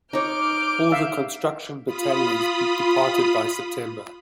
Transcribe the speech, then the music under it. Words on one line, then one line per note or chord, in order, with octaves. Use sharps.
All the construction battalions departed by December.
D#4 C#5 D6 F6 G6 D7
E5 F5
F4 B5 D#6